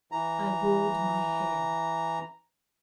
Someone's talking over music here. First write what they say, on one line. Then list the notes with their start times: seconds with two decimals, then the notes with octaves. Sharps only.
I bowed my head.
0.12 E3 A#5